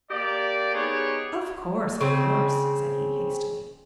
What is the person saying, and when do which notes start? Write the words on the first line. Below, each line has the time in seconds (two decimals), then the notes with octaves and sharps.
"Of course; of course!" said he hastily.
0.11 A#3 G4 D5
0.75 B3 D#4 G4 G#4 C#5
2.01 C#3 C4